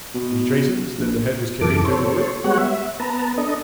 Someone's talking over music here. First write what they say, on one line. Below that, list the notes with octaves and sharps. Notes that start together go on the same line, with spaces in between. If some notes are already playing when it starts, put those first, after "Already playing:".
"Any traces that the head was carried to the wood?"
B2
A#1
F#2 E3 A4 D6
A4 C5 C#5
G3 G#3 B3 F#4 C#5 F#5
E5
B3 B4 A5 A#5
D4 A4 D#5